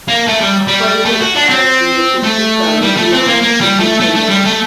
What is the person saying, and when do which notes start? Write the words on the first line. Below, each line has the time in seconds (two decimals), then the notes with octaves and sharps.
Appointed as Yokosuka Regional Superintendent.
0.08 A#3
0.28 A3
0.41 G3
0.67 G3
1.05 A3
1.20 F#4
1.36 D4
1.49 C4
2.24 A3
2.82 G3
2.97 A3
3.12 C4
3.26 A#3
3.41 A#3
3.61 G3
3.80 A3
4.00 A3
4.14 A3
4.29 G3
4.45 A3